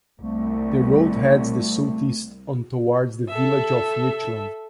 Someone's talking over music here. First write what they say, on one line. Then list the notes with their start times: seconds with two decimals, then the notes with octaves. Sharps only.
The route heads the southeast on towards the village of Richland.
0.20 C2 A3
3.28 A4 E5